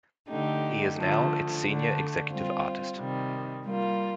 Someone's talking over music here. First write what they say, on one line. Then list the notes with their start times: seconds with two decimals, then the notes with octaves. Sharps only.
He is now its senior executive artist.
0.29 D3 A3 D#4 G4
0.96 D3 F3 A3
1.64 D3 A3 D4
2.31 G3 C4 F4
2.99 C3 D#3 G3
3.66 G3 A#3 F4